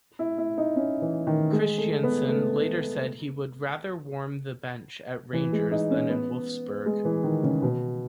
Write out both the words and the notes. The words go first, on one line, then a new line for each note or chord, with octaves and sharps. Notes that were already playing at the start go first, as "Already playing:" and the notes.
Christiansen later said he would rather warm the bench at Rangers, than in Wolfsburg.
E4
E4
D#4
C#4
E3
D#3
G#3
A3
B3
A3
E3
G#3
D#4
C#4
B3
G#3
E3
D#3
C#3
B2